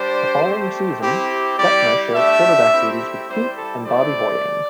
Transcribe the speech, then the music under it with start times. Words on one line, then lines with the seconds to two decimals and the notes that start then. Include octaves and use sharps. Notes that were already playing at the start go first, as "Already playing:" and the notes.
The following season, Detmer shared quarterback duties with Peete and Bobby Hoying.
Already playing: G3 D4 G4 C5
0.44 A3 C4 G4
1.01 C4 E4 G4
1.57 G3 E4 G4 D5
2.15 A3 D4 G4 E5
2.72 A3 C4 E4 G4
3.29 G3 E4 G4 C5
3.57 A4
3.85 A3 C4 E4 G4 D5